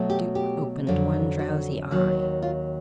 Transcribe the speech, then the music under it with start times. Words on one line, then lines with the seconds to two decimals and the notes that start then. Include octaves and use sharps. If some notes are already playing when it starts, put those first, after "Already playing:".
Duke opened one drowsy eye.
Already playing: B2 F#3 A3
0.10 G4
0.35 G4
0.87 F2 D3 F#3
1.39 F#4
1.91 D#2 D#3 F#3
2.42 F4